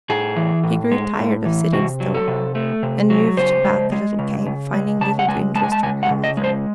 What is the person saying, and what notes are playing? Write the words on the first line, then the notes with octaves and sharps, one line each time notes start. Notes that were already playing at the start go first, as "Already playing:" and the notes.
She grew tired of sitting still, and moved about the little cave, finding little to interest her, however.
A2 G#4
E3
A2
G#3
A2
E3
C3 F#4
F#3
A4
C3
A3
C3
F#3
C#3 C5
G#3
G#3
C#3
C#3
G#3
C#3 A5
F#5
G#3 G#5
G#3 A5
G#5
A5
C#3 G#5
F#5
C#3
D#5
G#3
C5